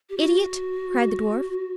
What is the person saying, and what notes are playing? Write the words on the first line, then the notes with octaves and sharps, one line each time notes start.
"Idiot!" cried the dwarf.
G4
F#4